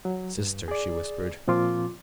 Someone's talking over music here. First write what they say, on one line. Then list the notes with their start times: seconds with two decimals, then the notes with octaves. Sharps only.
"Sister!" she whispered.
0.05 F#3
0.37 G2
0.68 G#4 D5
1.48 A#2 F3 C4 F4 C6 D6